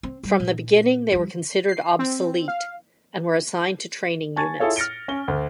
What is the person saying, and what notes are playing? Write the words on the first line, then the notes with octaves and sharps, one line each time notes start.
From the beginning they were considered obsolete, and were assigned to training units.
C4
G3
A#2
F3 G3
C7
C4
F5
G#5 A5 C#6 G#6 A6
E4 F4 G#4 A4 C#5 F5
F6 A6 A#6 C#7 D7 G7
C#4 G7
D2